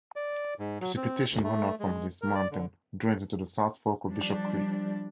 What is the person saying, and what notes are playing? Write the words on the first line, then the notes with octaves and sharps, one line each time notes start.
Precipitation runoff from this mountain drains into the South Fork of Bishop Creek.
D5
G#2
F#3
C4
D2
A3
G#3
A#4
D5
D3
F3 G3 D4